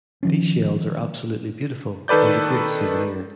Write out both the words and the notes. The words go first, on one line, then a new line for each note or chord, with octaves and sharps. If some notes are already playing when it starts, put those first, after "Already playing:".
These shells are absolutely beautiful and a great souvenir.
D#3 F3 C#4
D#3 A4 B4 D5 G6